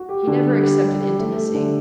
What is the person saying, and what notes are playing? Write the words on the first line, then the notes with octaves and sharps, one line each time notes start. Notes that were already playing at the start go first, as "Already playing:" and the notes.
He never accepted intimacy.
Already playing: F#4
G4
D3
G3
G4
G3
G4
A3
A3
D3